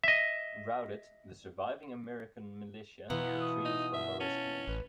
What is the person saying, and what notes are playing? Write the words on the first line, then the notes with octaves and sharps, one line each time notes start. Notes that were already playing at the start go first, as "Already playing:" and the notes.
Routed, the surviving American militia retreated from Oriskany.
D#5 E5
B2 E3 B3 F4 A#5
D#6
D#4
E5
C#4 A5
A1 B4